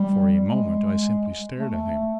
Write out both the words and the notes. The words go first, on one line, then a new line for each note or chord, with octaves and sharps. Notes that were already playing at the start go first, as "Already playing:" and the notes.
For a moment I simply stared at him.
Already playing: G3
G#3
A3